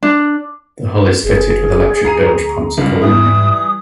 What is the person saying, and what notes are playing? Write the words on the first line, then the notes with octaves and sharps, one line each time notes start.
The hull is fitted with electric bilge pumps accordingly.
D4
F#1 G#4
D2 A#5 C7 D#7
C#2 G2
G#2 E3 G3 E4 D#6